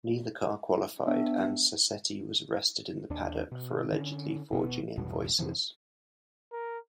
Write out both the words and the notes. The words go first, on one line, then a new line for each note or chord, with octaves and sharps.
Neither car qualified and Sassetti was arrested in the paddock for allegedly forging invoices.
B3 D4 E5 G5
D#2 D4
B2
D3 C#4
E1 B2 B3
A1 E2 G2 B2
F2 C3 E3 F3
A#4